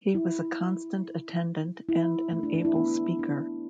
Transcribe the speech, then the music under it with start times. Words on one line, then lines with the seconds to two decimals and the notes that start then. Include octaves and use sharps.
He was a constant attendant and an able speaker.
0.15 E4
1.89 E4
2.32 A3
2.43 D4
2.54 D4
2.65 E4
2.76 B3
3.19 D4